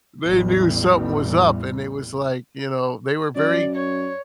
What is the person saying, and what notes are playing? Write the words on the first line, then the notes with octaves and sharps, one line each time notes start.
They knew something was up and it was like, you know, they were very
A1 E2 G3
F#2 D5
C#5